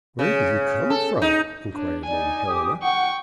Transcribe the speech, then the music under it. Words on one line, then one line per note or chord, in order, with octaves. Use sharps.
"Where do you come from?" inquired Lady Helena.
C#3
A4
D#4
D4 C#5
D#4 D5 G#5
G4 D6 D#6
F#5 G5 C#6